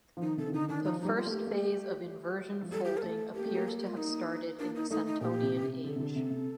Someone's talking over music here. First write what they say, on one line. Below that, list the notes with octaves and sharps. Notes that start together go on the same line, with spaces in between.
The first phase of inversion folding appears to have started in the Santonian age.
F3
D#3 D#4
C3 A4
D#3
D3 D#4
D#3 D4
F3 D#4
G3 D#4
F4
A3 G4
A#3
A3
F3
G3 A4
G4
A#4
A3 A4
A#3 G4
A3
A#3
A4
G4
F4
A#3 D#4
A#3 D4
D#4
A3 D#4
D#4
A#2 G4
C3
C3
D3 A4
C3
D3
C3
C3